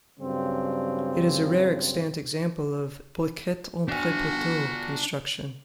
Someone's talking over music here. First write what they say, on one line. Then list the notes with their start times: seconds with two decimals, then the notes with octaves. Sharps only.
It is a rare extant example of "briquette-entre-poteaux" construction.
0.20 G2 C#3 F#3 G3 C4
3.89 D4 F#4 G#5